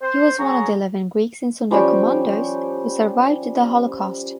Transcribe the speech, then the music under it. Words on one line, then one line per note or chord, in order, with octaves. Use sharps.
He was one of eleven Greeks in sonderkommandos who survived the holocaust.
C5
F#3 G#4 A#5 C#6
F3 G3 C#4 G5